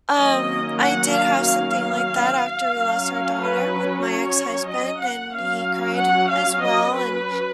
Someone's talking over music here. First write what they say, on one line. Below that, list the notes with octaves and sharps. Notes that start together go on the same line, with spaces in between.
um, I did have something like that after we lost our daughter with my ex-husband, and he cried, as well, and
D#3 F#3 A#3 C#4 D#5
F#5
F5
F5
F#3 C#4
B4
C#5
D#5
F#5
F#3 C#4 F5
F#5
F5
D#5
B4